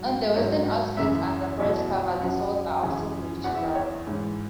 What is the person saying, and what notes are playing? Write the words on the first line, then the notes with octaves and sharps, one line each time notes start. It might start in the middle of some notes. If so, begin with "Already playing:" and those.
On the western outskirts under forest cover, the soils are often reddish brown.
Already playing: G#2 F#3
G#2 F#3 C#5
F#2 C#3 E3 E5
E2 B2 F#3 E5
F#2 F#3 F#5
F#2 C#3 E3 G#5
E2 E3 F#5
E5
C#5
G#2 E3